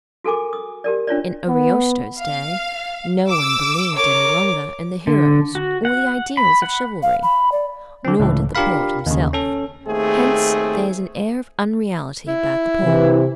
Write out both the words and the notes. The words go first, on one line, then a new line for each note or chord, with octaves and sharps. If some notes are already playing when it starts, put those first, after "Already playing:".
In Ariosto's day no one believed any longer in the heroes or the ideals of chivalry, nor did the poet himself; hence there is an air of unreality about the poem.
F#4 A4 A#4 G#5 D6
D#6
G4 A#4 D5
D4 F4 C#5 D5
B3
F5
D6 E6
A#4 C#5 D6
D3
F#4
F#5
B5
F#5
F5
B5
D5
D3 C4
C#2 A2 E3
D4 F4 G4 A#4 F5 B5
D#2 C#3
C#4 A4
D#2 A3 C4 G#4
E4
C3 E3